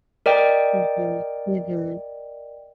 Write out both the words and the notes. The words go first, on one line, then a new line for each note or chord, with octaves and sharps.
Mhm, mhm.
A#4 D5 D#5 G5